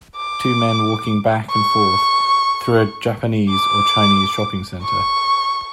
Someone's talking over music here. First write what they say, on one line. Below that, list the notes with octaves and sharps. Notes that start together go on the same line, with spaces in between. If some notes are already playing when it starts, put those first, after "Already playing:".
Two men walking back and forth through a japanese or chinese shopping center.
D6
C#6
D6
C#6